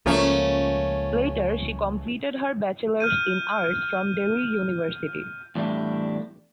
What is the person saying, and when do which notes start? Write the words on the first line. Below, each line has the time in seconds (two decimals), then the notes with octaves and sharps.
Later she completed her Bachelors in Arts from Delhi University.
0.06 C#2 F3 A3 A#3 C#4
3.00 F6 G6 D#7
5.55 E2 A2 G3 A3 D4